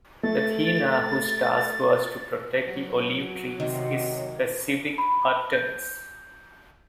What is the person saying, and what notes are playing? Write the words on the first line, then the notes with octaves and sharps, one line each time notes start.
Athena whose task was to protect the olive-trees is a civic Artemis.
A3 A6
F#3
C3 D#3
B5
G6